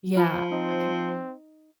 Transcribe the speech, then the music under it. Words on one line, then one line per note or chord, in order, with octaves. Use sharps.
Yeah. Okay.
F3 F4 B5
C4 D#4